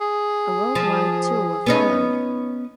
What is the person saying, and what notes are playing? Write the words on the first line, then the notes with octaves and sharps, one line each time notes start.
A worldwide tour followed.
G#4
F3
B3 C#4 D#4